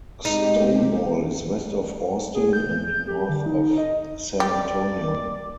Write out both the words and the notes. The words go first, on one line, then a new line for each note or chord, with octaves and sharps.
Stonewall is west of Austin and north of San Antonio.
G#3 C4 D#4 G4
G#4
G6
G4
D3
D#4
D#5
G4 D5